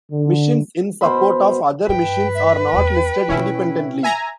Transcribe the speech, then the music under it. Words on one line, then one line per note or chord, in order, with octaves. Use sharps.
Missions in support of other missions are not listed independently.
D3
B2 C5 B5
G2 B4 G5
E5
E2 A#3 G5
B2 A3 C#4 E4
E5 G#5 A#5